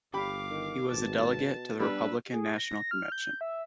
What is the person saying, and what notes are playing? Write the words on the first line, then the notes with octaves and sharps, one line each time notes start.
He was a delegate to the Republican National Convention.
G1 G4 F5 B5 D6
D#3
G#1 B2 A5
G3 B3 D4 B4 E6
G#4
A#6
F6
G6
E5